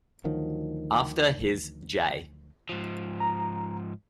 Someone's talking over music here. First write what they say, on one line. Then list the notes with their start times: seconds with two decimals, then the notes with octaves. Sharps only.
After his J.
0.24 D2 D#3 F3 F#3
2.69 G#2 F3
3.20 A#5